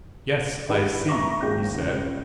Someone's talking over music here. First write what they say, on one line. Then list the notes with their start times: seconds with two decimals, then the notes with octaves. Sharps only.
"Yes, I see," he said.
0.69 D#3 D4 E4 G4 G#4 B4
1.08 E5 A#5 B5 C#6 D6 A#6
1.40 G#1 D#2 G#3 G5 G6 A#6
1.74 C#2